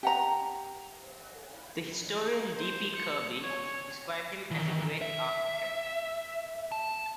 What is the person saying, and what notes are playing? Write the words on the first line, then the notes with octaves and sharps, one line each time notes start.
The historian D. P. Kirby described him as a "great" archbishop.
G4 F#5 A#5
C5
C#7
C#5
D#3 E3
E5
A5